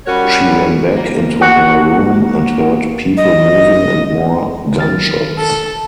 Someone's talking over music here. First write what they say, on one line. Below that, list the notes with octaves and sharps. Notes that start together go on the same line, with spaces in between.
She ran back into her room and heard people moving and more gunshots.
G3 C#4 F#4 A#4 C#5
A#3
F#4
D#5
D#3 F6 A6
A4